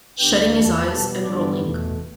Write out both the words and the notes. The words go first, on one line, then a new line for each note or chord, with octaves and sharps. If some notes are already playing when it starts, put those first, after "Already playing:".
Shutting his eyes and rolling.
D2 D3 B3 G4 G5
E2 E3 B3 A4 A5
B2 G3 B3 A4 A5
G2 D3 G3 B3 D4 D5
E2 B2 A3